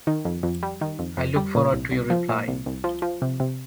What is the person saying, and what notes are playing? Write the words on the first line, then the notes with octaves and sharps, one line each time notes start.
I look forward to your reply.
D#3
F2
F2
G3
D#3
F2
F2
G3
A#2
C2
C2
F3
A#2
C2
C2
F3
F3
C3
C3